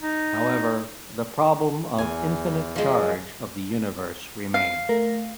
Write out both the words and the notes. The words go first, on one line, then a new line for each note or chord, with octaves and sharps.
However, the problem of infinite charge of the universe remains.
D#4
E2 G#5
F3 G#3
F5
A3 A#4